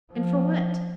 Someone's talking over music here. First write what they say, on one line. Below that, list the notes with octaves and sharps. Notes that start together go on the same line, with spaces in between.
"And for what?"
F3